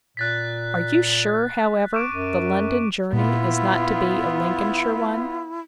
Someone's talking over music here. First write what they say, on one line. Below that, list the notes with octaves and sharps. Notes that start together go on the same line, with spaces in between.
Are you sure, however, the London journey is not to be a Lincolnshire one?
A#2 F#6 A6 B6
C#6 D6 D7
F#2 D#7
A#2 B3 E4 F4